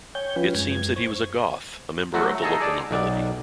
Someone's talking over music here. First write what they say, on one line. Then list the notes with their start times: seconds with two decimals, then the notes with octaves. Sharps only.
It seems that he was a Goth, a member of the local nobility.
0.15 C#5 G5 G#5 G6
0.36 F3 C#4 F4 B4
0.55 F#2 G#3 G#6
0.96 C5 C#6
2.14 F#3 A3 F#4
2.42 D#4 G#4 A4 A#5
2.60 G#4 D5 A5
2.91 B1 D5